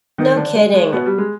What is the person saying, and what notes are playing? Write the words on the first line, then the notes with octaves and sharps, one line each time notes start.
No kidding.
D#3 D#4
D3 D4
G#3
G#3
B2 B3
G3
G#3